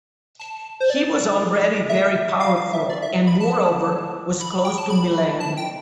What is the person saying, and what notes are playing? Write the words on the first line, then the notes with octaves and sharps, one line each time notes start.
He was already very powerful, and moreover was close to Milan.
A5
C5
D5
E5
F5
F5
E5
D5
E5
B5
A5
B5
G5
A5
B5
A5
G5